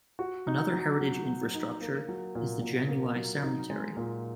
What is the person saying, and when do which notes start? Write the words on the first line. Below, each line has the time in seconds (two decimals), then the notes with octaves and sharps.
Another heritage infrastructure is the Janiuay Cemetery.
0.19 F#4
0.47 D#4
0.74 F#3
1.01 F#3
1.27 F#4
1.54 D#4
1.81 A#3
2.08 F#3
2.35 A#2
2.61 A#2
2.88 A#3
3.16 F#3
3.43 D#4
3.70 G#3
3.97 A#2